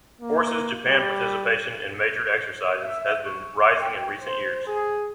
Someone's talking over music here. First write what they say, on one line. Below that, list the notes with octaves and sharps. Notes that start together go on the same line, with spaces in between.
Forces Japan participation in major exercises has been rising in recent years.
A#3
G3
E5
C#6
G5
C5
G#4